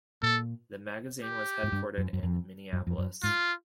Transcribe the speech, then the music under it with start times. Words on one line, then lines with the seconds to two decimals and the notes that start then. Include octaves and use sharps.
The magazine was headquartered in Minneapolis.
0.22 A#2 A4
1.23 G4
1.63 G#2
1.72 G2
1.98 F#2
2.13 F#2
2.23 F2
2.73 F#2
2.87 F2
2.98 F#2
3.23 G#2 F4